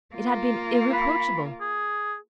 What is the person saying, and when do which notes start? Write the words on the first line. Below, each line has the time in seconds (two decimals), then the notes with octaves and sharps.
It had been irreproachable.
0.15 A#3 F4
0.93 B5
1.61 G#4